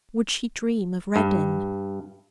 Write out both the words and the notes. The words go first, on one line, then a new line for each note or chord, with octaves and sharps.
Would she dream of Reddin?
G2